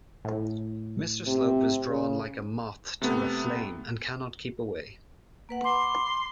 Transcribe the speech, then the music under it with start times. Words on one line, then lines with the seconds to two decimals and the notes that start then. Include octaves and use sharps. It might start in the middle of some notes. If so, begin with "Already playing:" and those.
Mr Slope is drawn like a moth to a flame and cannot keep away.
0.25 A2
1.27 C3
1.89 C#3
3.01 C3 A3 B3
5.49 A#3 B4 F#5
5.64 B5 C6 D6